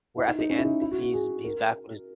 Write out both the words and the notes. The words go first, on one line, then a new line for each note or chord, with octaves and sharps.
where at the end, he's he's back with his
E4
D#4
D#4
C#4
E4
D#4
E4
F#4
F#4
G#4
A#4